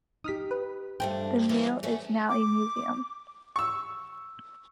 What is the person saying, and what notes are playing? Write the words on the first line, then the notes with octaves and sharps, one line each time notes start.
The mill is now a museum.
D#4 G4 D#6 F6 B6
B4
G2 G3 A3 D4 C5 G5
E3
A3 C#4 F#4
D6
C#6 E6